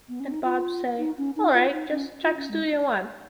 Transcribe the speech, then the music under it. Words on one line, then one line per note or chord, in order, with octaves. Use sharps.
And Bob say, 'All right, just check Studio One.
B3
C#4
D#4
F4
D#4
C#4
D#4
F4
D#4
C#4
F4
C#4
G#3